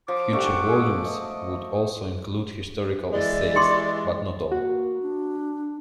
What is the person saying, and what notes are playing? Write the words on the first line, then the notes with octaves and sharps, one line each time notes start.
Future volumes would also include historical essays, but not all.
F3 D6
A3 D4 F#4 G4
G#4
D#5
E3 G#3 D5
G4 C6 D6
A#3 F#4
D4